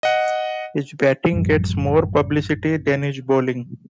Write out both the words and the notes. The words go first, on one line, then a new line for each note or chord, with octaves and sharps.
His batting gets more publicity than his bowling.
D#5 F#5
A1 F#2 F3 G3